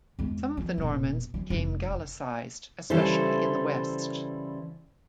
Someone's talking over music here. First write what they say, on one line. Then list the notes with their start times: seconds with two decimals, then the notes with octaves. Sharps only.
Some of the Normans became Gaelicised, especially in the West.
0.19 E2 G#3
0.57 F3
0.78 E1 A#2
1.34 F#3
1.50 F1
2.90 C#3 E3 G3 E4 A4 C5